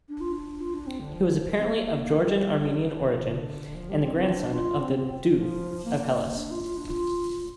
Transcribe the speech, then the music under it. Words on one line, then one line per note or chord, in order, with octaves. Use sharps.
He was apparently of Georgian-Armenian origin and the grandson of the "doux" of Hellas.
D4
F4
D4
F4
D4
C4
D3
F3
C4
A#3
G3
F3
D3
F3
D3
F3
G3
C4
C4
D4
F4
C4
F3
A#3
D4
F4
F4
D4
F4